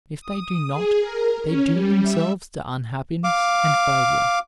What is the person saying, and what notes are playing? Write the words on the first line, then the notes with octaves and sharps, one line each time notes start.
If they do not, they doom themselves to unhappiness and failure.
D#6
G#4
A#4
C#4
G3
E5
F5 D6